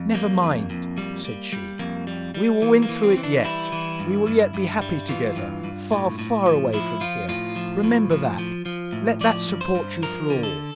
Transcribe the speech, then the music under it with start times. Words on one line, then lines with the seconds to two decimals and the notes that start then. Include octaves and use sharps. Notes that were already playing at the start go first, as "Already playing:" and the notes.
'Never mind,' said she; 'we will win through it yet--we will yet be happy together, far, far away from here--remember that--let that support you through all.
Already playing: F2
0.15 G3 A#3
0.43 F2
0.70 F2
0.98 G3
1.25 G3
1.52 G3
1.79 F2 A#3
2.07 G3
2.34 G3
2.62 E3
2.82 A#3
2.89 E3
3.03 C4
3.17 E3
3.23 D4
3.44 G3 E4
3.72 E3
4.00 G2
4.27 G2
4.54 G2
4.81 G3
5.09 E3 F4
5.36 G2
5.64 G2
5.92 A2
6.19 A2
6.46 F3
6.73 F3 E4
7.01 F3 F4
7.29 A2 F4
7.56 F3
7.84 A2
8.11 F3
8.38 F3
8.66 F3
8.92 A2
9.21 F3 D5
9.48 G2
9.61 C5
9.75 G2
10.02 F3 A#4
10.30 D3
10.43 A4